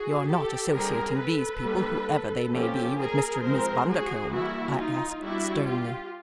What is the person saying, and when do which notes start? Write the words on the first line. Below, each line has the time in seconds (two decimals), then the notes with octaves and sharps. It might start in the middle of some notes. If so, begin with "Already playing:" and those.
"You're not associating these people, whoever they may be, with Mr. and Miss Bundercombe?" I asked sternly.
Already playing: F#4 G#4
0.27 G4 A4
0.72 D3 G3 C4 G#4 A#4
1.18 A4 B4
1.63 G3 A#3 D4
2.52 F3 A#3 C#4 G4 A4
2.97 G#4 A#4
3.42 F3 G#3 C4 A#4 C5
3.87 F#4 G#4
4.32 E3 G3 A#3 E4 F#4
4.77 D#4 F4
5.21 G3 B3 D4 E4 F#4
5.66 F4 G4